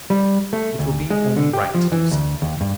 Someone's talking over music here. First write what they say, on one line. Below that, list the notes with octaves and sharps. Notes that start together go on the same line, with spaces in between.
"It will be only right to do so."
G3
A3
D2
G#3
D3
G4
F3
E3
D2
D#2
G2